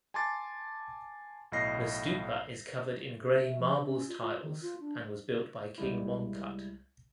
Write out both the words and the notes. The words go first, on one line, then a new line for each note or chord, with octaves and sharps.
The stupa is covered in grey marbles tiles and was built by King Mongkut.
G#5 A5 C6 D6 A6
B1 A2 D#5 A#6 C7
G4
E5
F3
D4
C#4
F4
F4
D#3
F4
D4
C2 G3 G#3 E4